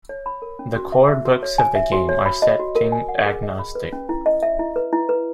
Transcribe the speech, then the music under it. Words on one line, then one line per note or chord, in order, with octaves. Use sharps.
The core books of the game are setting-agnostic.
C#5
B5
A#4
C#4
F#4
E5
E5
F#4
C#5
G#5
E5
F#4
C#5
B5
D#5
F#4
A#4
G#5
F#5
G#4
D#5
B5
B4
C#4
E4
D#5
E5
E4
B4
E4
B4